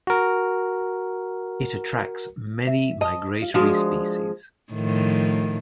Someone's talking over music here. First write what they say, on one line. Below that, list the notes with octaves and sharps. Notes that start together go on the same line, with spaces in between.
It attracts many migratory species.
F#4 A#4
E5
D#5 A5
F4
F3 G#3 D4 F#4
A2 D#3 F3